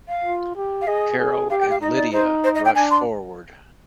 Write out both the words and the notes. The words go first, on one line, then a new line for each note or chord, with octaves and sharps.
Carol and Lydia rush forward.
F5
F4
G4
F5
G#4 D#5
G#4
G4 F5
G5
F5
D#4 D#5
D5
D#4 C5
C5
D#5
G5
D4 G#5
C6